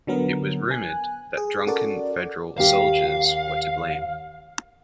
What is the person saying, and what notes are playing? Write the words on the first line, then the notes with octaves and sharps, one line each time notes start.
It was rumored that drunken federal soldiers were to blame.
D3 F#3 B3 A#4
G#5 F#6
G#4
C#4 F#4 A4 A#4 D5
D#2 G4 F5